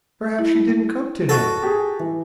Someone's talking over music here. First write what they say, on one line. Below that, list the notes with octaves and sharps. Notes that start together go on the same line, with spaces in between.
"Perhaps she didn't come today."
E4
F#4 A4
G4 G#4
E3